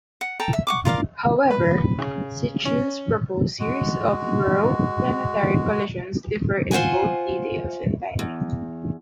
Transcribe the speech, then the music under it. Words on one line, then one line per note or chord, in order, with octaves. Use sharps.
However, Sitchin's proposed series of rogue planetary collisions differ in both details and timing.
F#5
A4 G5 A5 A#5
E5
F#5 C#6 D6
F4 A#4 D5 F5
B4
C#3
C#4
G#3 F#4
F4 C5 C#5 F#5 G#5
E2